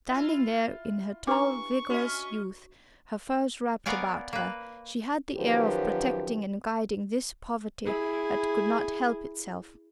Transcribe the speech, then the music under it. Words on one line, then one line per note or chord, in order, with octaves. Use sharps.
Standing there in her tall vigorous youth, her furs wrapped about her, she had the air of protecting and guiding this poverty that could not help itself.
E4 F4 E5
D4 G4 B4 A#5 C#6 D6
C#4 F#4 D#5
B3 A#4 C#5 D5 F5 G#5
A#3 B4
F#2 D#3 F3 F#3 G4 B4
E4 G#4